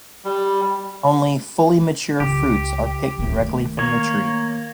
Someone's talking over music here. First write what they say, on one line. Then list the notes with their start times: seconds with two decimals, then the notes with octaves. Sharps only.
Only fully mature fruits are picked directly from the tree.
0.25 G3
2.20 C#2 G4
3.19 D#3 A3
3.79 A#3 C#5